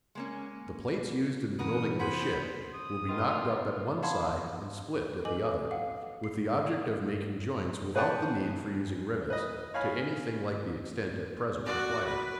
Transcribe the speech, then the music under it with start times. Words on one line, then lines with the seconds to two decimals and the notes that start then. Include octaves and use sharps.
The plates used in the building of a ship will be "knocked-up" at one side and split at the other, with the object of making joints without the need for using rivets to anything like the extent at present required.
0.15 G#3 A#3 C#4
1.59 C3 E3 F#4 A#4 B4 D#6
1.99 G4 G#4 C5 F#5 B5
2.74 D#6
3.09 D2 B2 D#3 F4
4.03 F5 F#5 A5 B5 C6 G#6
5.25 A4 B4 D#5 G#5 D6 F#7
5.71 F5 F#5
6.24 C7
7.95 G#4 B4 F#5 G5 A5
9.30 B4 D#5
9.74 C#5 F5 G#5 B5
11.65 F#4 D5
12.05 B4